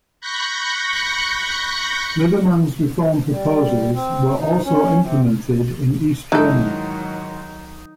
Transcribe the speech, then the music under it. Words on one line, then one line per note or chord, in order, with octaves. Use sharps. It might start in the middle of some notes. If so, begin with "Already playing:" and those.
Liberman's reform proposals were also implemented in East Germany.
B5 C#6 F#6 G6 A#6 C#7
G3
C4
D#4
C#4
C3
G#2 D#3 E3 F#3 D#4 A4